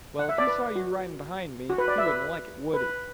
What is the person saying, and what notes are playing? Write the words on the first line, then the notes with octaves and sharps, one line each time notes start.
"Well, if he saw you riding behind me, he wouldn't like it, would he?"
F#5
E5
D5
B4
F#4
F#4
B4
D5
E5
B4
B4